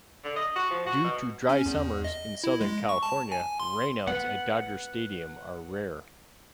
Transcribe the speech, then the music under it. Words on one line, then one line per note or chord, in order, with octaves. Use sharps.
Due to dry summers in Southern California, rainouts at Dodger Stadium are rare.
D3
D#5
F#4
F3
F#4
B2
C#4
E2
D#5
E4
G#3
C#6
A5
G#5
C6
B3 F#5